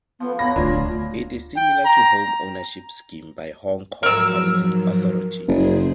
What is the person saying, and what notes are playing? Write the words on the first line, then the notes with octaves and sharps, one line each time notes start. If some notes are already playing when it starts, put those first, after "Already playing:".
It is similar to Home Ownership Scheme by Hong Kong Housing Authority.
F3 B3 A4
B2 A#3 C#5 B5 A#6
D1 D2 A3 D4 F4 G#4
G5
A#5
G#2 F3 F#3 A#4 E6
F#1 G#4 C5